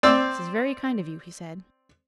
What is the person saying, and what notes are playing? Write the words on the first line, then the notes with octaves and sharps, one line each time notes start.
"This is very kind of you," he said.
C4 C5 D5 E6